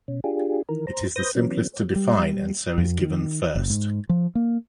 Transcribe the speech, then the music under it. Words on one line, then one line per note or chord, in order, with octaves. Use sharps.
It is the simplest to define, and so is given first.
B2 C#4
D4 F4 G4 G#4
D#3 E3 A#4
C5 A#5
B4 C5 D#6 G6 A#6
E3 F#3 B3 C#4
G3
F2
D#3
F#1
G#2
F3
A#3